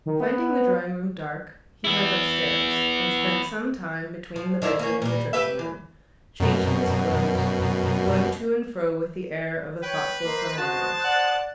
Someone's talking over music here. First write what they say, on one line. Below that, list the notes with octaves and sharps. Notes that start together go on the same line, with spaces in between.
Finding the drawing-room dark, he went upstairs, and spent some time between the bedroom and the dressing-room, changing his clothes, going to and fro with the air of a thoughtful somnambulist.
D#3
B3
B3 E4
F3
D#3 D4 E4
A#3 C#4
A#2 G3
G4 B4 E5
E3
F#2 B2
B4 C#5 G5
A#3 C5 D#5
F#4 C5 A5 D#6 F#6
D5 F#5